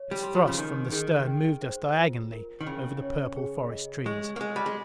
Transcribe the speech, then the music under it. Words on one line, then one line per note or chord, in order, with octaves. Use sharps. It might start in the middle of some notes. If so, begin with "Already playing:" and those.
Its thrust from the stern moved us diagonally over the purple forest trees.
Already playing: C#5
G3
C6
F3
C#3
D#3 D#4
D#3 G#4
G5
C5
F4
A#4
D#3
C#3 G5
C#5
G#4
D#5
G#3 C#6
A#3
G#3 G#5
G3
G#3